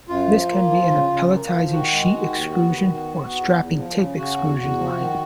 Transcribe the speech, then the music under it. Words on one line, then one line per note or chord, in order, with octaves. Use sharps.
This can be in a pelletizing, sheet extrusion or strapping tape extrusion line.
F#2 F4
F3
A#3
F3
C#3
C#3
A#3
F3
D#3 F#4
G#3
D#3
D#2
B3
D#3
B3
B3
E2
E2
F3
C#3
C#3 F#4
E2
E2
F3
D#3